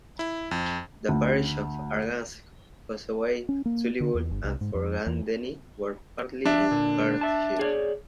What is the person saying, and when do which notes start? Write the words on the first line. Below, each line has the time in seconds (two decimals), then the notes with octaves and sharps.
The parishes of Arngask, Fossoway, Tulliebole and Forgandenny were partly in Perthshire.
0.19 E4
0.51 F2
1.09 D2
3.49 C#4
3.66 A#3
4.00 D3
4.15 E2
4.31 G1
4.44 C2
4.61 G#2
4.75 F2
5.07 E2
6.45 F2 D4 E5
6.71 A#2 D3
7.21 E5 A5
7.59 G#4 C#5 D5